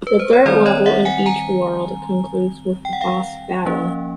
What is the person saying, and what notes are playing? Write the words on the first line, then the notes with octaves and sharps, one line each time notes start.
The third level in each world concludes with a boss battle.
B4
C5
C#5
D#3 G3 C4 C5 D5
C#5 D#5
E5 F#5
F#5 G#5
G#5 A#5
G5
F#5
F5 G5
F3 A#3 C#4